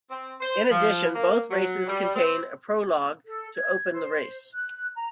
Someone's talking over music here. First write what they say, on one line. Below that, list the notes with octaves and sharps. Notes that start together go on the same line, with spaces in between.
In addition, both races contained a prologue to open the race.
C4
C5
F3
A#3
F#3
G3
C4
A4
G#6
C5
F#6
A#5